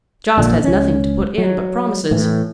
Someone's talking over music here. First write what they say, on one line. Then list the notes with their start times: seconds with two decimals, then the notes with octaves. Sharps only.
Jost has nothing to put in but promises.
0.38 A#1 A#2 D3
0.64 C#2 C#4
1.38 F#3
2.11 A2 E3